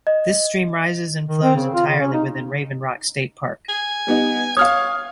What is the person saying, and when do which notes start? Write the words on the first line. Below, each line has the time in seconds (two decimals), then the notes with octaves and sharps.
This stream rises and flows entirely within Raven Rock State Park.
0.07 D#5
1.29 D#3
1.43 C4
1.56 C#3
1.74 F4
1.87 C#3
2.00 C#4
2.13 D#4
3.69 G#5
4.07 G3 B3 D#4
4.57 C#5 F5 D#6 F6 G#6